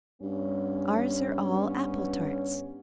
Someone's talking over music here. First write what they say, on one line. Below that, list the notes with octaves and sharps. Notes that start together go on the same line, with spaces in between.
Ours are all apple-tarts.
G2 B3 C#4